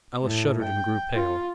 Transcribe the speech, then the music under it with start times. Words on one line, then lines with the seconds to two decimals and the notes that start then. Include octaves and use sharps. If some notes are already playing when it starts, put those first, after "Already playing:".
Alice shuddered and grew pale.
0.24 A2
0.63 G5
1.14 F4